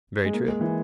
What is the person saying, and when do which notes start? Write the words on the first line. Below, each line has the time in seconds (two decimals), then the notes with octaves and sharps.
Very true.
0.25 G#3
0.33 A#3
0.48 G#3
0.61 E3